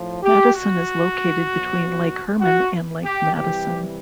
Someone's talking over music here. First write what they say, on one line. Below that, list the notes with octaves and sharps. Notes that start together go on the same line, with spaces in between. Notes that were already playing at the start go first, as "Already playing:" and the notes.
Madison is located between Lake Herman and Lake Madison.
Already playing: A2 F3
G4
F#4
B2 F#3
F#4
G4
C3 E3 G3 G4